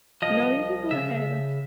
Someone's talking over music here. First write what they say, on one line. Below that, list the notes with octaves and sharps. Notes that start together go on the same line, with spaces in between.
No, you can go ahead. I'm just
C2 C3 F3 D#5
C#3 E5